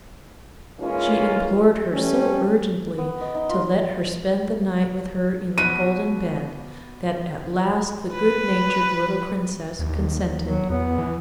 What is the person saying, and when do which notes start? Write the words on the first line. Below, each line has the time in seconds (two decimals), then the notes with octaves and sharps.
She implored her so urgently to let her spend the night with her in the golden bed, that at last the good-natured little Princess consented.
0.80 E3 G#3 A#3 C#4 D#4 F4
1.92 G3 A3 C#4
2.98 B3
3.21 D#5 D6
3.35 D#4
3.49 F4
5.58 B2 D#7
8.13 B4
9.79 D#2
10.45 F#3
10.70 E2 B3
10.98 E3